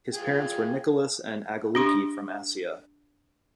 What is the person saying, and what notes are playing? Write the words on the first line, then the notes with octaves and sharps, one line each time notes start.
His parents were Nicolas and Aggeliki from Assia.
F4 G#4 G5
D4 G4 C6